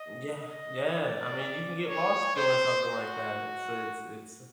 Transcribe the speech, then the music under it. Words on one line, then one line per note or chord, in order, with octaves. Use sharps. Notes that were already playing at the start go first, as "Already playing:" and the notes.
Mm, yeah, yeah, I mean, you can get lost doing something like that. It's it's it's, uh,
Already playing: D#5
D#5
D5
C#5
C5
F#4